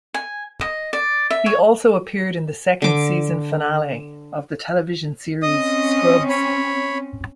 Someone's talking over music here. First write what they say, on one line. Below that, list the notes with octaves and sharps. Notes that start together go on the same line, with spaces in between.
He also appeared in the second season finale of the television series "Scrubs".
G#5
D#5
D5
E5
C#5
D3 D6
C4 C#4 D#5 D#6
C#5 B5